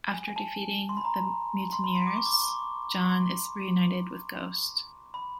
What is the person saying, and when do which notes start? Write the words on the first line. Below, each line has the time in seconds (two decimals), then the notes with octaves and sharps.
After defeating the mutineers, Jon is reunited with Ghost.
0.13 G#5
0.28 G#5
0.36 A5
0.89 C6
0.97 B5
1.05 A#5
1.73 C6
1.84 B5
1.95 C6
2.07 D6
2.16 C#6
2.26 D6
2.41 C#6
3.09 C6
5.14 B5